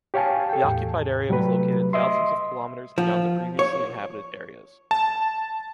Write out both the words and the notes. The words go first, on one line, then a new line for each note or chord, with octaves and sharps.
The occupied area was located thousands of kilometers beyond the previously inhabited areas.
G4 C#5 F5 G#5 A5
A4 G5
E2 A2
C3 F#3 G3 A3 B4
D#5 E5 C6
F3
C#5
A5